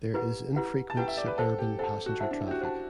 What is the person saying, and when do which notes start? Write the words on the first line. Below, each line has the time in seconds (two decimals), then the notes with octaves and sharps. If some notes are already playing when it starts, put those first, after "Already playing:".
There is infrequent suburban passenger traffic.
0.14 E4 G4 B4 F#5
0.56 E4 G4 B4 F#5
0.90 A5
0.97 E4 G4 B4 F#5 G5
1.08 E5
1.17 D5
1.27 B4
1.38 A4 C5 F#5 A5
1.58 G4
1.79 A4 C5 F#5 A5
2.06 F#4
2.20 E4 C5 F#5 A5
2.31 D4
2.41 E4
2.47 G4
2.51 F#4
2.61 C5 F#5 A5